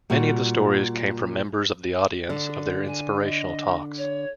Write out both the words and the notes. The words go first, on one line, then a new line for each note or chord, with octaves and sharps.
Many of the stories came from members of the audience of their inspirational talks.
A#2 G3 F#4
D3
G#5
D#5
C#5